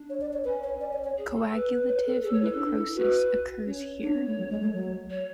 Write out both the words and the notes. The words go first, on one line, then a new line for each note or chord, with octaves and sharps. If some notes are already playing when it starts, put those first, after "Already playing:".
Coagulative necrosis occurs here.
Already playing: D4
C#5
D5
C#5
C#4 B4
C#5
D5
C#5
C#5
G#4
A4
B4
C#5
A4
G#4 A4
C#5
E4 B4
C#4 A4
D4
E4
F#4 B4
C#4 C#5
D4
B3
A3
F#3
G#3
A3
F#3
C#5